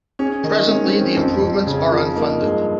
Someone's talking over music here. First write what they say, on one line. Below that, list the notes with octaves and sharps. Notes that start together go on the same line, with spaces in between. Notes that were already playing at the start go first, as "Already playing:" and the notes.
Presently the improvements are unfunded.
C#4 G#4
D#3 D#4
G#3 C#4
C4
C#4
C4
F2
F2
C#3
F3
A#3 D#4
G2 G#3